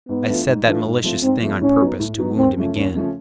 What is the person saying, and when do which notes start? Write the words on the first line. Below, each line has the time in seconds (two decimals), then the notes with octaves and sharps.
I said that malicious thing on purpose to wound him again.
0.08 G#2 B3
0.27 E3 A3 D4 F4
0.47 G#2
0.66 E3 A3 D4 F4
0.85 G#2
1.04 F3 A3 C4 F4
1.23 G#2 C4
1.42 F3 A3 C4 F4
1.61 A2 C#4
1.81 F#3 B3 D#4
1.99 A2
2.19 F#3 B3 D#4
2.38 D#2 C4
2.57 C#3 F3 A3 C#4
2.76 D#2 C#4
2.95 C#3 F3 A3 C#4